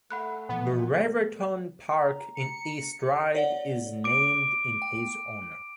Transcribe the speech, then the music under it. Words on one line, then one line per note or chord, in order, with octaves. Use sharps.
Brereton Park in East Ryde is named in his honour.
A3 F#5 B5 F#6
A#2 E3 F3 B3
A#5
C#7
C#5 D5 F#5
D6 D7
G5